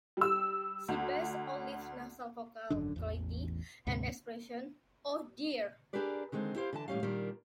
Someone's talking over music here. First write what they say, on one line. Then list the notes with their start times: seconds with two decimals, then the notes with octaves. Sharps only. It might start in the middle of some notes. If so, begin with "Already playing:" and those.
She based Olive's nasal vocal quality and expression, Oh, dear!
0.17 G3 E6
0.88 D2
2.70 G#1 F#2 D3 D4
2.96 A1 E2
3.87 D2 G#2 C3
5.93 D4 G4 G#4 A#4 B4 D5
6.32 D3 D#3 G#3 C4
6.55 E4 G4 C5 F5
6.73 D3 E3 A5
6.88 A2 E3 G3 C#4 F5
7.03 A#2 D#3 G3 A#3 D4